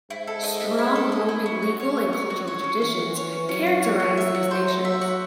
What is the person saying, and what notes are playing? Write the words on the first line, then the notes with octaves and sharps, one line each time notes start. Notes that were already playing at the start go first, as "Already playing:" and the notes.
Strong Roman legal and cultural traditions characterize these nations.
G#2 E4
A4
D#5
E4
E4
A4
D#5
E4
C#4
F#4
C#5
C#4
C#4
F#4
C#5
C#4
E3 C#4
F#4
C#5
C#4
F#3 C#4
F#4
C#5
C#4
E5
F#4
C5
D#4
E5
F#4